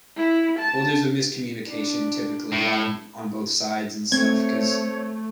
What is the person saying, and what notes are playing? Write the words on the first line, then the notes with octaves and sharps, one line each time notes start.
Well, there's a miscommunication typically on on both sides and stuff, 'cause
E4
A5
D4
A2
A3 C4 C5 C#5 G#6